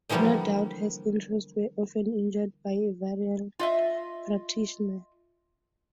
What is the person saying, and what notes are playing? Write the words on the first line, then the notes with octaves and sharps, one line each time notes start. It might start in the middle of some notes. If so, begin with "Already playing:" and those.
No doubt his interests were often injured by a rival practitioner.
D3 E3 F3 G3 A#3 B3
F4 D#5 E5